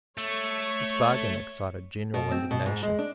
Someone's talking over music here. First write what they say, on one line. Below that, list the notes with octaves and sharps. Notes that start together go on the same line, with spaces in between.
This bargain excited general indignation.
A3 C#5 C#6
B2
C4
B2
G#2
G#3
D4